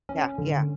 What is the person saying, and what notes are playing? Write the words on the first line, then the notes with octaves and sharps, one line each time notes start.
Yeah, yeah.
C#4
D3